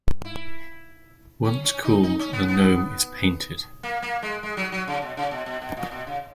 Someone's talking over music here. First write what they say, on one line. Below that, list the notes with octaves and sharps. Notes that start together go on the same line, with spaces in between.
Once cooled, the gnome is painted.
E4
C#4
C#4
D#4
D#4
C#4
B3
B3
A#3
A#3
G#3
G#3
F#3
F#3
C#3
B2
C#3
B2
B2
B2
A#2
B2
C#3